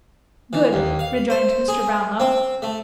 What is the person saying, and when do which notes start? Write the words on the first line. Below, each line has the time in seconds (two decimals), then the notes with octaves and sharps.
'Good!' rejoined Mr. Brownlow.
0.53 E3
0.73 D#2
0.99 F5
1.30 C5
1.68 G#4
2.20 C4
2.62 A3